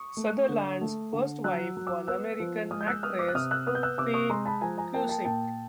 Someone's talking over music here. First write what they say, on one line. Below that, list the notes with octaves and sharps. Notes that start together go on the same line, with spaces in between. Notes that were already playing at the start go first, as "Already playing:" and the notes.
Sutherland's first wife was American actress Faye Cusick.
Already playing: C#6 D#6
A3
D3
A3
D3
F#3 E6 F#6
F#3
D6 E6
B3 E6 F#6
F3
G#3 D#6 F6
G6
E6 F#6
B3 D#6 F6
D6 E6
F#6
C3 D#6 F6
E6 F#6
B3 D#6 F6
G6
E6 F#6
C3 D6 E6
C#6 D#6
G#3 A#5 C6
A5 B5
F3 G#5 A#5
G#5 A#5
A#3 G5 A5
G5 A5
A#2 G5 A5